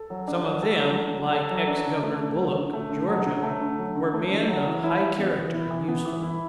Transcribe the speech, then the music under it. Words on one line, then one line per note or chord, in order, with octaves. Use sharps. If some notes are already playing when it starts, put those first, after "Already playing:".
Some of them, like ex-Governor Bullock, of Georgia, were men of high character and usefulness.
Already playing: A4
F#3
D4
F#3
A4
F#3
D4
F#3
A4
F#3
D4
D3
A3
D3
F#3
D3
A3
D3
F#3
D3
A3
D3
F#3
D3
A3
D3
F#3
E3
E4
E3
B3
E3
E4
E3
B3
E3
E4